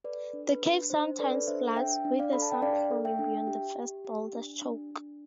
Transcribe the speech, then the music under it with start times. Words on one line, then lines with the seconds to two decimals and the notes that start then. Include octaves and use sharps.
The cave sometimes floods, with a sump forming beyond the first boulder choke.
0.04 A4 B4 D5
0.33 D4
0.48 B4
0.62 D4
0.90 D4 C5
1.19 A4 B4 D5
1.47 D4 C5 E5
1.76 D4 E5 G5
2.05 D4
2.19 D5 F5
2.33 A4 B5
2.42 A5
2.52 G5
2.62 D4 D5 F5
2.91 A4
3.05 E5 G5
3.19 D4
3.47 G4
3.76 G4
4.05 G4
4.33 D4
4.62 D4
4.91 D4